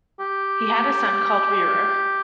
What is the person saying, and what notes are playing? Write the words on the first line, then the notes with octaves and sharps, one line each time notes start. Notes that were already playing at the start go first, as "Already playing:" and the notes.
He had a son called Rerir.
G4